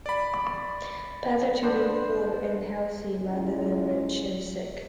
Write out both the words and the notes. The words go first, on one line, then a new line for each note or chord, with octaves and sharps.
Better to be poor and healthy rather than rich and sick.
D5 B5
B3 D4 C5
G#3 A3 C#4 E4 F4 G#4